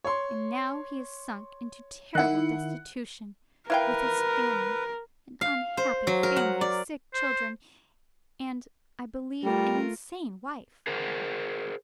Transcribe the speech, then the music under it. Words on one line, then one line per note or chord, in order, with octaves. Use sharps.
And now he has sunk into terrible destitution, with his family--an unhappy family of sick children, and, I believe, an insane wife.
C#5 C6
D#3 E4 F#5 F#6
E4 A#4 B4 F5 G5
F5
C5
F#3
A#4
F#5
D5
C5
G3 A3 F4 A#4
G#4 A#4 C5 F#5